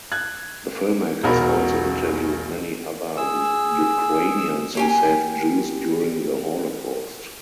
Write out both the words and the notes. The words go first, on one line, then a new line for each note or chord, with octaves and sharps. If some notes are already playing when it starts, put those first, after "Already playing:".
The filmmakers also interviewed many other Ukrainians who saved Jews during the Holocaust.
F#6 G#6
E1 B1 F#4 A#4 B5
G#4 E6
A#3 G4 G#5